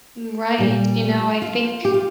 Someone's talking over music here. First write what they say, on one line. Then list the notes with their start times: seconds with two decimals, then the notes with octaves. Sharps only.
Mm, right, you know, I think
0.58 A#2 G3
1.42 F4
1.85 G4
1.94 F4